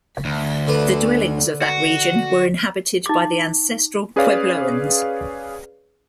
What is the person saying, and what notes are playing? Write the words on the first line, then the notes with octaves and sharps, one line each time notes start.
The dwellings of that region were inhabited by the Ancestral Puebloans.
D2
D3 B4
F#4
D#4 D6
C#4 G#4 B4 C#5 D5 F5